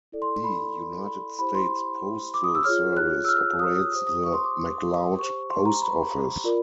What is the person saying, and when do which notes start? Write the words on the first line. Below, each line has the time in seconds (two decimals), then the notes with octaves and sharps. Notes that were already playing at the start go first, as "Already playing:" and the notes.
The United States Postal Service operates the McLoud Post Office.
0.12 E4 A4 D5
0.22 C6
0.44 B5
1.06 B5
1.39 E4 G4 C5 B5
1.55 C6
2.34 D6
2.44 D#6
2.55 E6
2.64 F4 G#4 C#5 F6
2.97 F#6
3.25 E6
3.29 F6
3.59 D#6
3.76 D#6
3.92 G4 C5 D#6
4.07 D#6
4.24 C#6
4.34 C6
4.44 D6
5.18 G4 C5 C#6
5.50 C6
5.65 A#5
5.82 B5
6.44 F4 A#4 D5